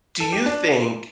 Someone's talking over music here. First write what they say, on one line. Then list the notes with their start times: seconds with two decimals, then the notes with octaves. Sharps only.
do you think
0.20 A4
0.32 G4
0.46 D4